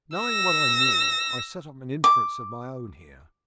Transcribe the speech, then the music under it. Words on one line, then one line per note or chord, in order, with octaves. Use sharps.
Knowing what I knew, I set up an inference of my own here.
E6 A#6
D6